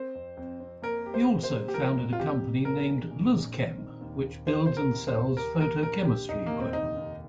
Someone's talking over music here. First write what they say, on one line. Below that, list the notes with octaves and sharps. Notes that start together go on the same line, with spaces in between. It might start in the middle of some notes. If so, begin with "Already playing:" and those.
He also founded a company named Luzchem which builds and sells photochemistry equipment.
Already playing: C4 C5
F2
F2
C4
A#3 A#4
G4
C5
G4
C5
A#3
G4
F3 A#4
F2
F4
F2 G4
F2
A#2 A#4
A#1
A#2
A#1
C4
D#3
D#2
D#2
G4 C5
C4 C5
A#4
D#2
C5
D#2
G4 A#4
A#3 A#4
A#1 A#4
A#1 G4
F1 D#4
D#2 A#3
C4
F1 D#4
D#2